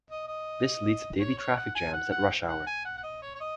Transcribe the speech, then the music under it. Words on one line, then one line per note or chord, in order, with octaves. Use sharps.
This leads to daily traffic jams at rush hour.
D#5
D#5
C#5
C#5
F#5
G#5
F#5
F#5
F#5
G#5
F#5
F#5
D#5
C#5
C#5
D#5